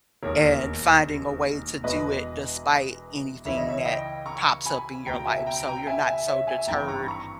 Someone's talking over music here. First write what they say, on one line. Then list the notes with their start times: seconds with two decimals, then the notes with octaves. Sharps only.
and finding a way to do it despite anything that pops up in your life, so you're not so deterred
0.23 E1 D#2 D#3 A#4 C#5
1.84 E1 E2 B2 B4 D#5
3.45 C#2 C#3 E3 E5
3.58 D#5
3.69 C#5 E5
3.86 D#5 G5
4.26 A#5 C#6
4.66 G#5 B5
5.06 C#2 B2 G5 A#5
5.26 E5 G#5
5.46 G5 A#5
5.67 G5 A#5
5.87 E5 G#5
6.07 E5 G#5
6.27 C#5 E5
6.47 E5 G#5
6.67 G#1 G2 E3 G5 A#5
6.88 A#5 C#6
7.02 B5
7.08 A#5 C#6